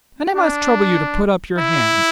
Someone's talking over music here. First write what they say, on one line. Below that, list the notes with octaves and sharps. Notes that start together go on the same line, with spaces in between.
And--I must trouble you to put up your hands.
D4
E4